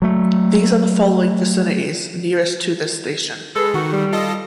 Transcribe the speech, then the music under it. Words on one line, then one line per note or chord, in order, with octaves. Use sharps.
These are the following victinities nearest to this station.
F#3 A3
G#3 G#4 A4 B4
D#3 F#4
G3
F4 A4 D#5